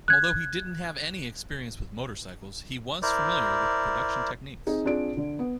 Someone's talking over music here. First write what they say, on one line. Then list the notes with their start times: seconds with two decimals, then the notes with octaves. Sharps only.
Although he didn't have any experience with motorcycles, he was familiar with production techniques.
0.08 F#6 G#6
3.02 E4 A#4 C5 D5
4.67 C4 D#4 G#4
4.85 C4 D4 F4 G#4 D7
5.17 D3
5.39 B3